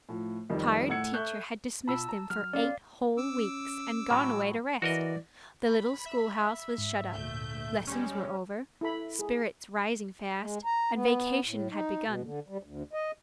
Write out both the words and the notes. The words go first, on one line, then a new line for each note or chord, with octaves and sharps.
Tired teacher had dismissed them for eight whole weeks, and gone away to rest; the little school-house was shut up, lessons were over, spirits rising fast, and vacation had begun.
A2 F3
F2 D#3 G3 D#4
A2 A3 F#5 E6 G#6 C#7
A4 E5 C#6 F#6 G6
B2 F4 A5 B5 E6
A#5
F#3 F6
C#4 A4 C5 D5 F5
C#4 D6 E6
A2 F#3
E3 F#4 A#4 D5 D#5
B5
E5
G#2
D2 A#2 A3 G6
G3 G#3 C#4
E4 A4 B5
G#4
G#3
A#5
B3
A2
D#4
B2
D3
G3
D2
D#5